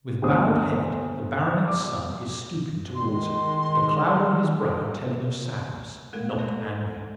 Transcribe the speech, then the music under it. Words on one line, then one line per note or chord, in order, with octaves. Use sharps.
With bowed head the baronet's son is stooping towards her, the cloud on his brow telling of sadness--not anger.
G1 D2 C5 D#6
D6
D#3 G#3 C6
G#3 A3 A4 A#4 F5
G#3 A4 C5